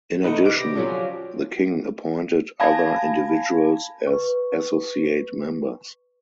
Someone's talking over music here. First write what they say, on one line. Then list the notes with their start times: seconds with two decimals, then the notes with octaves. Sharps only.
In addition the King appointed other individuals as associate members.
0.24 C#2 A3 D#4 B4 F#5
0.45 C2 D5 D7
0.59 G4 A#6
0.75 D3 F3 F#3 C#4
2.60 F5 G#5 A5 B5 G#6 A#6
4.07 B4 C#6